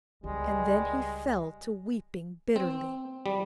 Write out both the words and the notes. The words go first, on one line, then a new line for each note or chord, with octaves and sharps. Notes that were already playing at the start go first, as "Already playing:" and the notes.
And then he fell to weeping bitterly.
C#2 G3 G#3
C4
G3